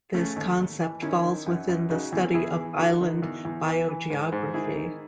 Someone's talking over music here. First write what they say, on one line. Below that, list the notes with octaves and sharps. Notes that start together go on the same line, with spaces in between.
This concept falls within the study of island biogeography.
C#3 A3 C#4
D#2
D#2
E3
D#3 C#4 E4
D#3
F#2
F#2
C#3 D#4 F#4
E2
E2 E4 G#4
E3
D#3 F#4 A4
D#3
E2
E2
E3
E3
G#2
G#2
D#3 E4 G#4
D#3